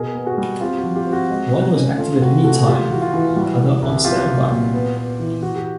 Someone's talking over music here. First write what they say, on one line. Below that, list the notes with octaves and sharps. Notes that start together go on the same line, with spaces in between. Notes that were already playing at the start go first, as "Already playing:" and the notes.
One was active at any time, the other on standby.
Already playing: B2 G#4 A#4
B3
F#4 G#4
G3
C4 F4 G4
F#4
F3
F4 G4
C4
F#4
G#3
B2
C#4
A3 F4
C3 F#4
A3 F#4
G#4
A3 F4 G4
E3 F#4
F4
E3
F4
G3 F#4
G3
C2
B3 F4 G4
F#3
A#2
B3
B3
E3
E3 F#4
G4